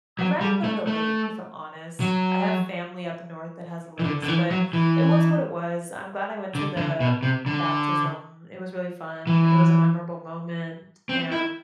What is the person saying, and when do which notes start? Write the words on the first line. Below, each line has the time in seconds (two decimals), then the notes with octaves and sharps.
I'd rather go to the lake, if I'm honest. I have family up north that has lakes, but it was what it was. I'm glad I went to the, eh, baptism; it was really fun. It was a memorable moment, and
0.19 F#3
0.41 G3
0.64 A3
0.87 A3
2.00 F#3
3.99 E3
4.04 D3
4.24 D3
4.28 E3
4.51 F#3
4.73 E3
6.55 D3
6.77 D3
7.00 B2
7.23 C3
7.46 D3
9.27 E3
11.09 C4
11.32 E4